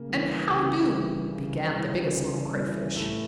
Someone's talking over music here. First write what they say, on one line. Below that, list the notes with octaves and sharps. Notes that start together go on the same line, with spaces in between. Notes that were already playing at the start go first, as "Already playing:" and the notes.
"And how do--" began the Biggest Little Crayfish.
Already playing: C#3 A#3
E3 G3
C#3
E3 G3
C#3
E3 G3
C#3
E3 G3
A2 A3